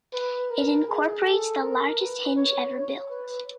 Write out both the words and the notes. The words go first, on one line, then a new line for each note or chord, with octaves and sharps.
It incorporates the largest hinge ever built.
B4
A#4
G#4
A4
A#4
B4
C#5
C#5
B4